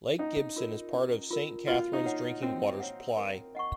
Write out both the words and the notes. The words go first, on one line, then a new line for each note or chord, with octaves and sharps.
Lake Gibson is part of Saint Catharines' drinking water supply.
C#4 D#4
F4 A#4
C#4
F4 A#4
F4 F#4
D#4
C#5 F#5
C4 F#4
C#5 F#5
A#4
D#5 F#5 C#6